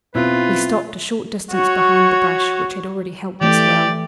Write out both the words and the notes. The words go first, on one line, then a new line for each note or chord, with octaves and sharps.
We stopped a short distance behind the brush, which had already helped us well.
B2 C4 E4 F4 B4
F#4 C#5
E3 A3 G4 D5